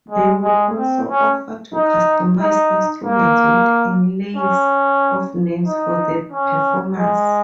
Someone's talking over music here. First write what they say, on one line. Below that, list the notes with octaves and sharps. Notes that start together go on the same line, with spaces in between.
They would also offer to customize instruments with inlays of names for the performers.
G#3
G#3
C4
C#4
D#4
D#4
A#3
C#4
D#4
C#4
G#3